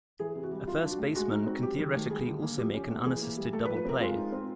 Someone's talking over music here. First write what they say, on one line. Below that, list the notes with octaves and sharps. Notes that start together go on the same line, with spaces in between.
A first baseman can theoretically also make an unassisted double play.
E3 G#4
C3
F#4
G3
F#3 F4
D4
F#4
A3
G#3 F#4
D#4
C4
F#3 G4
D#3
A3
G3 G#4
D3
A#3
F3 G4
C#4
A3
E3 G#4
A#3
G3
A3 A4
B4
F3
B4
C4 A#4
G#3 F4
D#4
C4